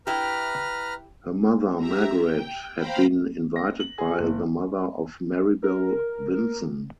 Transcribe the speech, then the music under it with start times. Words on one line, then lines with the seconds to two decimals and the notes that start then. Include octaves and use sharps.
Her mother, Margaret, had been invited by the mother of Maribel Vinson.
0.07 E4 G4 B4 A#5 F6
1.77 G4 E5 A#5
2.21 G5
2.76 C5 F5 G5 A#5 B5
3.56 A#6
3.80 F#7
3.98 G#4
4.19 F#1
5.63 A#4